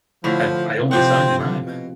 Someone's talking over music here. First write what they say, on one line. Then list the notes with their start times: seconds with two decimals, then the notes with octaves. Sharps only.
I've I only sign and rhyme.
0.24 A2 D3 F3 E4
0.91 C3 F3 C4 F#5
1.38 D3
1.64 B2